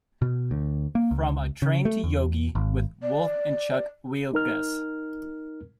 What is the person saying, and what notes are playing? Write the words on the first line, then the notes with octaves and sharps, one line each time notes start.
"From A-Train to Yogi", with Wolff and Chuck Wielgus.
B2
D2
A#3
C#2
C#3
A3
E2
G#1
D5
D#4 A#4 F6